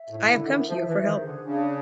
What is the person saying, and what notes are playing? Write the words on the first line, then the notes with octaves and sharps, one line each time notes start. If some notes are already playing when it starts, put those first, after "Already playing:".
I have come to you for help.
Already playing: E5
A2
E4
D3
D3 E5
D#3
F3 E5
E3
C5
D#3
G#4
D3
C#3 D4